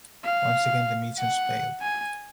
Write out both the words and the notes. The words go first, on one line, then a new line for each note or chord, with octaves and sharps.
Once again the missions failed.
F5
F#5
G#5